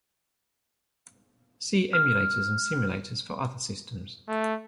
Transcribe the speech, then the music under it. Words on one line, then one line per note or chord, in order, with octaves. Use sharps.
See Emulators and Simulators for other systems.
F6
A3